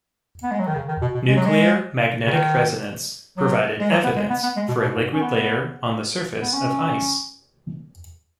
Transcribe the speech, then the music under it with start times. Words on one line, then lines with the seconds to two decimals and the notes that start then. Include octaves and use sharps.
Nuclear magnetic resonance provided evidence for a liquid layer on the surface of ice.
0.43 B3
0.51 G#3
0.59 F#3
0.67 D#3
0.75 C#3
0.88 D#3
1.01 B2
1.14 B2
1.27 G#3
1.36 F#3
1.46 G#3
2.26 C#3
2.32 D#3
3.37 F#3
3.80 G#3
3.90 F#3
4.04 B3
4.16 G#3
4.30 B3
4.43 B3
4.56 G#3
4.69 B2
4.82 B2
4.95 G#2
5.13 C#4
5.22 B3
6.41 B3
6.53 C#4